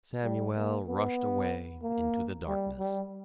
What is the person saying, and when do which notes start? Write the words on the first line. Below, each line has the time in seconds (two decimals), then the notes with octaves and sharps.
Samuel rushed away into the darkness.
0.23 G3
0.55 A#3
0.88 B3
1.83 A#3
2.47 G3
2.79 G3